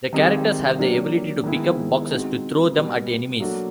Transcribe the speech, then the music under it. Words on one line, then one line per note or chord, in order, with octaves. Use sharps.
The characters have the ability to pick up boxes to throw them at enemies.
D#3 G3 C4 D#4 G#4
F#3 A#3 D4 G4
D#3 G#3 B3 E4 G#4
G#3 C4 D#4 F#4
B2 G3 B3
F#3 A#3 D4 F#4 A4